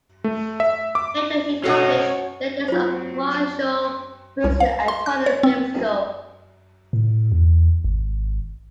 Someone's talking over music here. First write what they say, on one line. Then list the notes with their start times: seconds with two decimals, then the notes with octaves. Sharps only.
Later he published "Letters of Marcel Proust to Antoine Bibesco".
0.24 A3
0.60 E5
0.95 D6
1.64 B2 C#4 F#4 A4 C#5 D#5 F#5 C7
2.68 F#3 C4 F4 C5
4.44 C2
4.60 F5
4.88 C6
5.06 F#6
5.26 C#5
5.43 C4
6.93 A2
7.32 E2
7.85 G#1